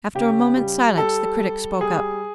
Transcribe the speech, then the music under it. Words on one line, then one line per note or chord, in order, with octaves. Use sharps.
After a moment's silence the Critic spoke up.
C#3 G4
G3
G3 A4
G3
G3 G#4